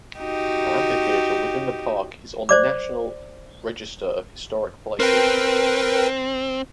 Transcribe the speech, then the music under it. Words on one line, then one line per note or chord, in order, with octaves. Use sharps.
The amphitheater within the park is on the National Register of Historic Places.
D#4 F#4 G4
C5 D5 D6
C4 A#4 B4 G5